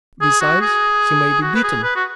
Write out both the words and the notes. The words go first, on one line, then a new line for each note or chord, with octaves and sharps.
Besides, he may be bitten.
G#4
F#4
G#4
F#4
B4
G#4
B4
F#4